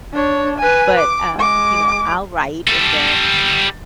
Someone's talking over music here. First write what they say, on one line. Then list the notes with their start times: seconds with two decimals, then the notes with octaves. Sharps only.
but, um, you know, I'll write, and then,
0.13 D4 C#5
0.58 B4 G#5
0.98 D6
1.36 G#3 D6
2.68 G3 A4